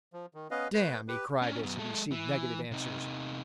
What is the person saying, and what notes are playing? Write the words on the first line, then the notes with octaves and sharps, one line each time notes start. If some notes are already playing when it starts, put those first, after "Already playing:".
"Damn!" he cried as he received negative answers.
F3
D#3
B3 C#4 B4 D#5 F5
A3 B4 G6
G4 B4
C#4 D4
F#2 B3
G#3 A4
E3
C3 D#4